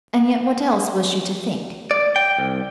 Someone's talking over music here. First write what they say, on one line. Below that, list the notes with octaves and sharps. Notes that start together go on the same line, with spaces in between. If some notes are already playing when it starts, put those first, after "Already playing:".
And yet what else was she to think?
D5
G5
C2